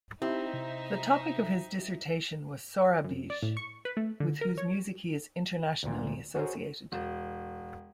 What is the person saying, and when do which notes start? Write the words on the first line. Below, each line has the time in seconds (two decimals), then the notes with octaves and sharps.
The topic of his dissertation was Sorabji, with whose music he is internationally associated.
0.22 C4 D#4 E4 G4 E5
0.53 C3
3.04 F#2
3.30 D5
3.43 A2
3.57 C#6
3.85 B4
3.97 A3
4.20 D3
4.41 A#4
4.58 C#5
5.83 D2 A#2
6.35 F#4 G#4 A#4 C5 C#5
6.92 E1